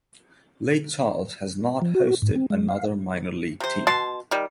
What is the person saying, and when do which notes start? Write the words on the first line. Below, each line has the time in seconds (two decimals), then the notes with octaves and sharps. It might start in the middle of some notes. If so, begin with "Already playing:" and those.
Lake Charles has not hosted another minor league team.
1.82 F3
1.95 F#4
2.22 G#2
2.35 C4
2.50 G#3
2.69 F5
3.60 C3 C5
3.87 B2 A5 C6
4.31 D#3 G3